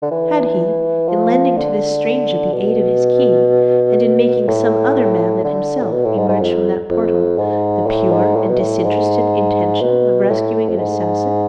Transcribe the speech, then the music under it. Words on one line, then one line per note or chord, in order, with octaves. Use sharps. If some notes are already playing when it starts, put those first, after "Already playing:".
Had he, in lending to this stranger the aid of his key, and in making some other man than himself emerge from that portal, the pure and disinterested intention of rescuing an assassin?
D3
E3
F3
D3
B2
A2
D3
A2
B2
A2
G#2
G#2
F2
F2
G#2
A2
G#2
A2
B2
A2
G#2
B2
A2
F2
G#2